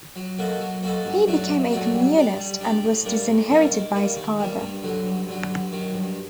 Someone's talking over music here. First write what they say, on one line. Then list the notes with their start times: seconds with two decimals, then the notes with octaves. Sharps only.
He became a Communist and was disinherited by his father.
0.16 F#3
0.38 A#3 F#4 A4 D#5
0.61 F#3
0.83 A#3 F#4 A4 D#5
1.05 G2
1.27 F#3 A3 D4 F#4
1.50 G2
1.72 F#3 A3 D4 F#4
1.94 G3
2.16 D4 G4 D5
2.38 G3
2.61 D4 G4 D5
2.83 A2
3.05 G3 A#3 D4
3.27 A2
3.49 G3 A#3 D4
3.72 D#3
3.95 G3 A#3
4.16 D#3
4.39 G3 A#3
4.61 G2
4.83 D3 F#3
5.06 G2
5.28 D3 F#3
5.50 G2
5.72 D#3 F#3
5.94 G2